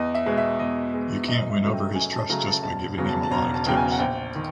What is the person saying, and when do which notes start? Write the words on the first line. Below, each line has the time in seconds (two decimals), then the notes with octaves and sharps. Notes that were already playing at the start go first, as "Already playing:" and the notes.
You can’t win over his trust just by giving him a lot of tips.
Already playing: E2 D#5
0.15 E5
0.26 B2 G#3
0.37 E5
0.59 E2 D#5
0.94 B2 G#3
1.28 F#2 D#5
1.50 E5
1.62 C#3 F#3 A3
1.74 G5
1.95 F#2 G#5
2.12 A5
2.30 C#3 F#3 A3 A#5
2.47 A5
2.63 E1 A5
2.98 E2 C#3 F#3
3.09 A5
3.23 A5
3.31 E1 A#5
3.54 A5
3.66 E2 C#3 F#3 G5
3.77 G#5
3.92 F#5
3.99 A#1 G5
4.35 D#3